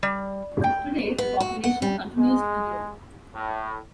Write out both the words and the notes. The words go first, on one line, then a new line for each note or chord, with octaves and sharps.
Today, the population continues to grow.
G3
G5
B3
F#4
F#5
G3
G#3
A2